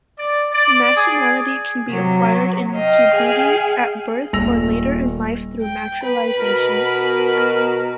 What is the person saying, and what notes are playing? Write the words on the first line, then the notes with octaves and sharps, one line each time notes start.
Nationality can be acquired in Djibouti at birth or later in life through naturalization.
D5
D5
G#4
C3 F#3
D#5 F5 G5
G#4
D#1 E6 A#6 F7
G5
B4 B5
B2 A#4